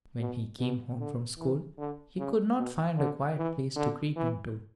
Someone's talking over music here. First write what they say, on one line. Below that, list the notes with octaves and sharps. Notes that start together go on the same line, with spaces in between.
When he came home from school, he could not find a quiet place to creep into.
B2
B2
D3
E3
D3
C#3
B2
D3
E3
D3
E3